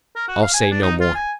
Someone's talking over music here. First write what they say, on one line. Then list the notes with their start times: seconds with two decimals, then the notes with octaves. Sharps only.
I'll say no more.
0.16 A#4
0.28 F#4
0.42 F5
0.54 G#5
0.71 D4
0.82 D#4
1.00 F4
1.15 G#5